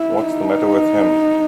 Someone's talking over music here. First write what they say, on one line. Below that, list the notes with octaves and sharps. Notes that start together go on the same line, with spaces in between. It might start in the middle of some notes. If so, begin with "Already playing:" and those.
What's the matter with him.
Already playing: E4
D#4